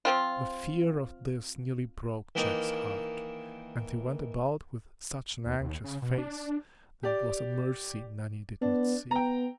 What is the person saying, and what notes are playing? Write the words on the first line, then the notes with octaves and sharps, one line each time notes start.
The fear of this nearly broke Jack's heart; and he went about with such an anxious face that it was a mercy Nanny did not see it.
F3 C4 F4
D#3 E3 A#3 D#4
D#2
D#2
C#3
B2
D4
G4 D5
B3 D4
B3 G5 A#5